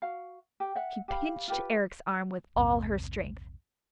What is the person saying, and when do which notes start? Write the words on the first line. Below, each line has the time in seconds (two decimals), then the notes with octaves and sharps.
She pinched Eric's arm with all her strength.
0.02 F#4 F5
0.60 G4
0.75 E5 F#5
1.08 G4 F5 B5
1.48 F4 G4 B4
2.56 A#1 E2 G2 C3